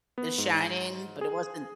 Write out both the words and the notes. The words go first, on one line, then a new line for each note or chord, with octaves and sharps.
The Shining, but it wasn't
B3
G#2
G#4